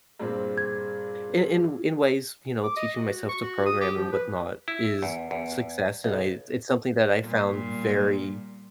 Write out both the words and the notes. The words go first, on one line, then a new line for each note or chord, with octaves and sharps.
in in in ways, you know, teaching myself to program and whatnot is success, and I it's something that I found very,
G2 A#2 C4 G#4
G#6
D6
D#5
F#4
C#6
F#4
D#6
G4
F3
B4
E4
E2
E2
B1
A#2 G3